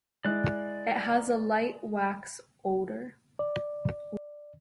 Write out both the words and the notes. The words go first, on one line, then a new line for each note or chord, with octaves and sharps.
It has a light wax odor.
G#3 E4 D5 F#6
D5